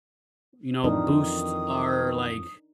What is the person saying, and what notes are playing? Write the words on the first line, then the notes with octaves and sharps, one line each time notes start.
"you know, boost our, like,
F2 D#3 E3 D4 D#4 A#4 D#6